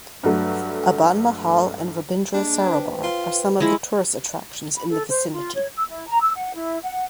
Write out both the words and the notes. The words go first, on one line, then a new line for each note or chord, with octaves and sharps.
Aban Mahal and Rabindra Sarobar are some of the tourist attractions in the vicinity.
G2 F#3 A3
A#3 D4 G#4 D#5
B4 C5 G5
F4
F3 G#3 E4
B5
A4
C5
F4
C#5
E6
E4
A#5
E6
F#5
E4
F#5